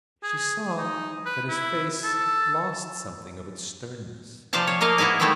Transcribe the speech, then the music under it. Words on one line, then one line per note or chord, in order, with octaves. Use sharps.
She saw that his face lost something of its sternness.
G#4
D#4
B4
E4
A4
C3 F3 C5 D5 F5 A5
C#5
A#3 A#4 D#5 F5
G#3 B3 E4 F5 G#5
D#3 G3 A3 B3 C4 E4